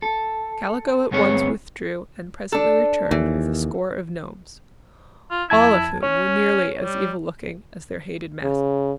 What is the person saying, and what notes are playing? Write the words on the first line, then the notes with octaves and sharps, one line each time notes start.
Kaliko at once withdrew and presently returned with a score of nomes, all of whom were nearly as evil looking as their hated master.
A4
D2 G2 B3 C4 G#4 C#5
D4 A4
D#2 E3
F4
F2 E4 A5 G#6
C#4 C#5
G3
C#3